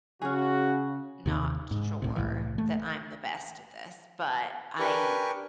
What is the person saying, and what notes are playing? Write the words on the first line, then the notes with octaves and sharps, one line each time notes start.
not sure that I'm the best at this, but I
C#3 C#4 F#4 G#4
D#2 C3 D#3
G#2
C#2 A2 C3
C2 A2 E3
A3
D4 G4 A#4 B4 G#5 C#6